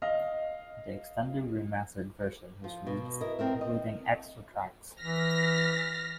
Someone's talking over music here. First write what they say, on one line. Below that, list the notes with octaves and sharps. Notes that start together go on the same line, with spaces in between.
An extended re-mastered version was released, including extra tracks.
D#5 F5
F3
B2
E4 A#4 D#5
C4 A#4 E5
D#5
E3 F6 A#6 B6